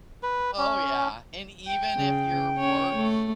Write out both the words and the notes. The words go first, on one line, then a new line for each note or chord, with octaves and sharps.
Oh, yeah, and even if your work
B4
C#4
G5
C#3
C#4 C#5
A3